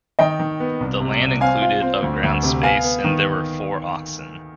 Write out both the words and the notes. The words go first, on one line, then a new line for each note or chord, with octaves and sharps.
The land included of ground space and there were four oxen.
D#3 D#5 G5
D#3
B3
C2
C3
C2
C4 F5 G#5
F4
C4
D2
D2
C3
B3 F5 G#5
B3
D#3